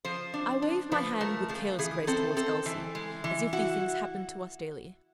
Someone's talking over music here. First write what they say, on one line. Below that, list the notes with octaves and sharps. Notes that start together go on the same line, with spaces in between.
I waved my hand with careless grace towards Elsie--as if these things happened to us daily.
F3 C5
D4
D4
F3 B4
A3 A#4
F3 G#4
E3 G#4
C4 A4
C4 A4
E3
G#3
E3
E4 F#4